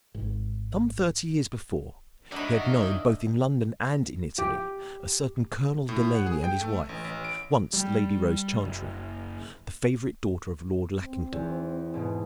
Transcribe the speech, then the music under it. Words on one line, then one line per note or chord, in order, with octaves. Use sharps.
Some thirty years before, he had known, both in London and in Italy, a certain Colonel Delaney and his wife, once Lady Rose Chantrey, the favorite daughter of Lord Lackington.
G#1
D#3 F#3 D4 D#5 E5 B5
G4
A2
F#5
G#4
G5
A3
A1
A1
D7
G3
F#1
C4
E2
G#2 B2